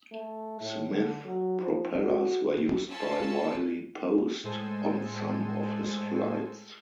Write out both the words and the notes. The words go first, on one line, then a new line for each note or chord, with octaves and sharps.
Smith propellers were used by Wiley Post on some of his flights.
A3
A2
D3
F#3
F3
F#4
C#4 F4 A5 E6
A2 G#3 A4 C5 G#5 E6